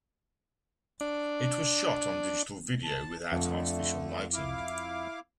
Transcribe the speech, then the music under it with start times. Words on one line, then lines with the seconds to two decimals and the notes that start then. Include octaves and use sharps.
It was shot on digital video without artificial lighting.
1.01 D4
2.84 A5
3.32 F2 D3 A3
4.34 E4 F5 D6